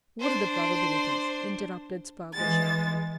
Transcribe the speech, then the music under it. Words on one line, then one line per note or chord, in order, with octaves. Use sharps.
"What are the probabilities?" interrupted Spargo sharply.
D4 C5
E3 G#3 A6